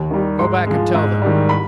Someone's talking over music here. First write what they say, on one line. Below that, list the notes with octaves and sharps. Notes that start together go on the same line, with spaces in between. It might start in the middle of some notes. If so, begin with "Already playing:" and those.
Go back and tell them.
Already playing: D#2
D#3 G3
G#2 C6
F3 G#3
G#2
D#3 G3
B5